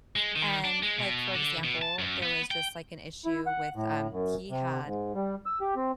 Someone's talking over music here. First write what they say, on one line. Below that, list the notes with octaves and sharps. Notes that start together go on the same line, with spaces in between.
And, like, for example, there was just, like, an issue with, um he had
G#3
D#3
D4
G#3
B2
D3
B2
A5
F#2
B3
G5
E4
F#5
A2
F#2
C3
G#2
G3
E6
G4
C4